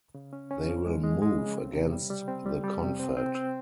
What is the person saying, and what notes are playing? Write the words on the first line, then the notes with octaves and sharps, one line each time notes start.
They will move against the Confed.
C#3
C#4
C#4
F3
G#3
G#3
G#3
C#3
C4
C3
G3
G3
C4
G3
G3
C3
C4
C4
C4